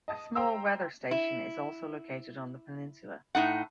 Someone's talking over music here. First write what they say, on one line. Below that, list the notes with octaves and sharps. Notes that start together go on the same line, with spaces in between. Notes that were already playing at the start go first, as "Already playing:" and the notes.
A small weather station is also located on the peninsula.
D#5 A5 D#6
C5 F5 G5 A#5 C6 E6
E4
A2 D#4 F#5